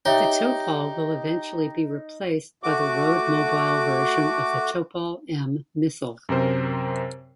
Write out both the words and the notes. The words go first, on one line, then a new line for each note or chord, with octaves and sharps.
The Topol will eventually be replaced by the road-mobile version of the Topol-M missile.
D#4 G4 C#5 E5
A3 F#4 D6
F#2 C3 A#4 C5